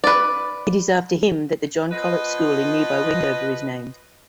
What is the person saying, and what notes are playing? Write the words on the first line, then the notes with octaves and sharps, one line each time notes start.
It is after him that the John Colet School in nearby Wendover is named.
B4 D5
F3 B3 B4 D#5